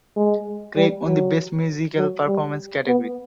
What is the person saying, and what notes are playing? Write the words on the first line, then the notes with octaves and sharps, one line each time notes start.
Craig won the Best Musical Performance category.
G#3
G3
F#3
F#3
G3
B3